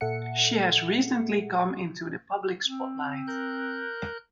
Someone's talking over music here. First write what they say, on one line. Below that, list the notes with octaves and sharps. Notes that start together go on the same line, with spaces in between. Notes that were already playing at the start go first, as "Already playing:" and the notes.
She has recently come into the public spotlight.
A#2 A4 E5 F#5 C#7
C4
A#4 F#6 G6